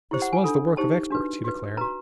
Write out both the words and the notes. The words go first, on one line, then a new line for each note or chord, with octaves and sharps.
"This was the work of experts," he declared.
E4 G4 C5
F#5
G#5
D4 F4 A4
D#4 G4 C5 A5
D4 F#4 B4
F#4 B4
F#4 B4 A#5